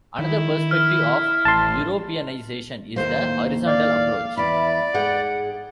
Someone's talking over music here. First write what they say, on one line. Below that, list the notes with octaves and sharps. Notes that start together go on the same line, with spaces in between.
Another perspective of Europeanisation is the 'horizontal approach.
D#3 E4
F6
A1 A5 C6
D#2 A2 A#3 C5
D5 F5
E2 E4 D5 B5
G#2 G#4 F#5 G5